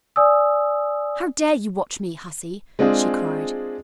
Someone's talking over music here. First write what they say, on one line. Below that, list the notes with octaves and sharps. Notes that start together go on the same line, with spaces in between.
"How dare you watch me, hussy?" she cried.
D5 G#5 D#6 E6
G#3 C4 D4 F4 G#4